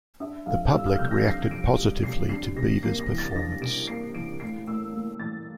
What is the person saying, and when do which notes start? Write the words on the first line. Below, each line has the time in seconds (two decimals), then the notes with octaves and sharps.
The public reacted positively to Beavers' performance.
0.20 D4 E5
0.46 F2 F5
0.72 G3 E6
0.86 F6
0.98 C3 G6
1.11 A#6
1.25 D4 C7
1.51 F2 D7
1.78 G3
2.03 C3 C7
2.29 D4 C7
2.56 C3 A#6
2.83 A#3 C7
3.00 A#6
3.09 E3
3.18 A6
3.36 D4 A#6
3.61 C3 D7
3.88 A#3 C7
4.15 E3 D7
4.40 A2 C7
4.67 A2 E6
4.93 A#3
5.19 E3 A6